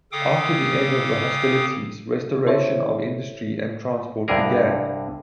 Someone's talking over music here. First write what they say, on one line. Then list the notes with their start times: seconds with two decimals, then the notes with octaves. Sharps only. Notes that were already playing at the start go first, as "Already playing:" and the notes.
After the end of the hostilities, restoration of industry and transport began.
0.12 C#3 A4 F5 G5 D6 D#6
2.46 E4 A4 C5 C#5 E5
4.28 C2 G2 D3 G#4 A#4